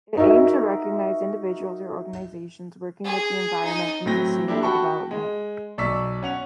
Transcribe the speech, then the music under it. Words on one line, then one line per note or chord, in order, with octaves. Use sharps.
It aimed to recognize individuals or organizations working with the environment and sustainable development.
D#4 F#4 A#4 E5
G#4
D#4
A2 F#3 C4 G5 A#6
A#3 D4 E4 G4 A4
F#4 G5 A5 B5 C#6
G#3
B1 D5 C#6 E6 B6
C#4 F#5 F7